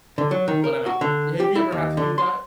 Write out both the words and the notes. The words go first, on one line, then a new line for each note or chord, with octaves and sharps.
but I'm out." Have you ever had to do that?
D3
F#3
D#3
A#4
F#4
D3
G4
E4
D#2
D3
C6